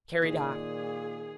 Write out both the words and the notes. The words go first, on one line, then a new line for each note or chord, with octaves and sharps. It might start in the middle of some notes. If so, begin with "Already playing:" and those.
Carried off?
A#2 D#3 G#4